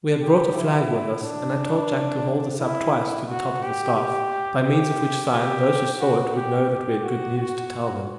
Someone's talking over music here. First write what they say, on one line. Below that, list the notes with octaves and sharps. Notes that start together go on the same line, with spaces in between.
We had brought a flag with us, and I told Jack to haul this up twice to the top of the staff, by means of which sign those who saw it would know that we had good news to tell them.
G4
E4
D4
E4
F#4
G4
G4
G4
G4
F#4
G4
G4
F#4
F#4